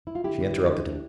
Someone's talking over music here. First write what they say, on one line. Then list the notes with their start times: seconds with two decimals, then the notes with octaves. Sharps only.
She interrupted him.
0.07 E4
0.15 F4
0.24 D3 E4 G4
0.40 D3
0.56 G3
0.71 D4
0.87 D4